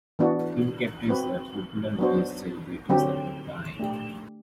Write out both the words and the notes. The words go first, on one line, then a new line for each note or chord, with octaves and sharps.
Team captains were popular based celebrities of the time.
E3 B3 D4 F#4
C4 F#4 B4
F#3 B3 D4 F#4 C5
D3 F#3 C4 G4
A3 D4 G4